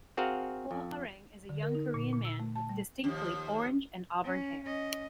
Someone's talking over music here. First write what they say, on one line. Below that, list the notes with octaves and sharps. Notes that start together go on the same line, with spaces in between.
Hwoarang is a young Korean man with distinctly orange and auburn hair.
C4 F#4 G#4 A#4 F5 F#5
F2
D3
A#4
D#4
A#2
A#2
E6
A3
A5
G3
D#2 F3
C#4
C#4 D#5